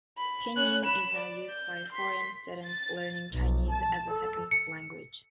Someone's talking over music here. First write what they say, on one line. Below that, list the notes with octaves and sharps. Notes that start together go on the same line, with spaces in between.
Pinyin is now used by foreign students learning Chinese as a second language.
B5
C#4 F#6
B5 E7
D5
G6
C6 B6
A6
B1
A5
A4
C#7